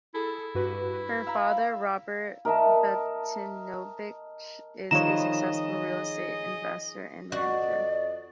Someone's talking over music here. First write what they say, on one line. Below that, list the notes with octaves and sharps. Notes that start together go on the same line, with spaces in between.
Her father, Robert Batinovich, is a successful real estate investor and manager.
E4 G#4 A4
G2 F#4 B4
F5 A#5 B5 E6
A#4 D#5 E5 A5
D#3 F3 G3 G#4 C#5 D#5 A#5 E7
F2 F#4 D5 D#5